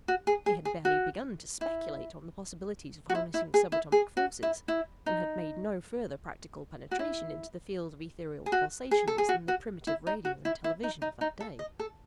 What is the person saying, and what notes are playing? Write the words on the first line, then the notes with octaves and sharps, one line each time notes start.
He had barely begun to speculate on the possibilities of harnessing sub-atomic forces, and had made no further practical penetration into the field of ethereal pulsations than the primitive radio and television of that day.
F#4
G#4
G#4
G#4
F#4
E4
F#4
E4
E4
G#4
E4
G#4
F#4
E4
E4
D#4
F#4
E4
G#4
F#4
G#4
A4
G#4
F#4
F#4
E4
D#4
F#4
E4
E4
D#4
D#4
D#4
A4
D#5
A4